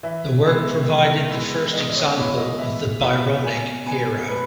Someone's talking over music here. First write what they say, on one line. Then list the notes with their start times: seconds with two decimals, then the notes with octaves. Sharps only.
The work provided the first example of the Byronic hero.
0.03 E3 E5
0.46 G#3 B3 E4
0.89 E3
1.31 G#3 B3 E4
1.73 E3 D#5
1.89 D#5
1.95 C#5
2.16 G#3 B3 E4 C#5
2.37 D#5
2.58 E3 E5
3.01 G#3 B3 E4 E5
3.43 B2 G#5
3.86 G#3 B3 G#5
4.28 B2 B4